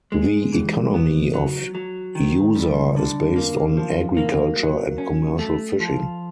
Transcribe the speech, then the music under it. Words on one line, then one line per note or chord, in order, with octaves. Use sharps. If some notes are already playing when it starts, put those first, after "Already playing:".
The economy of Yuza is based on agriculture and commercial fishing.
G#3
E3
B3
F#3
F#3
D#3
G3
D3
A#3
F3
A#3
F#3
C#4
A3
F3